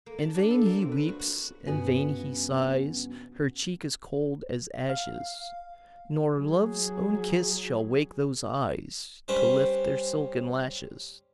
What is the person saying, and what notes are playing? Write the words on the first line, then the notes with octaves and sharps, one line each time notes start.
In vain he weeps, in vain he sighs, Her cheek is cold as ashes; Nor love's own kiss shall wake those eyes To lift their silken lashes.
A#3
A5
D4
A4
A#3
C4
B4
F#4
F#4
G2 C#3 B3 F#4 G#5
F5
F#3 G#4
G3 C#4 B4 C5